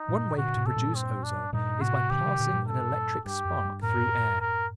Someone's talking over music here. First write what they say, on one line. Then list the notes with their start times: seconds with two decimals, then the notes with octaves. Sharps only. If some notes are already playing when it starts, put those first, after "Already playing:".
One way to produce ozone is by passing an electric spark through air.
Already playing: D#4
0.09 G2 A#2
0.37 A#2 D3 F#4
0.57 A2 C3
0.66 A4
0.76 G2 A#2
0.95 C4
1.24 D4
1.53 G2 A#2 D#4
1.81 A2 C3 F#4
2.10 A#2 D3 G4
2.25 C3 D#3
2.40 A#2 D3
2.53 G2 A#2
2.68 A4
3.25 G2 G4
3.45 F#2
3.64 G2
3.83 F#2 A2 A#4
4.41 A#4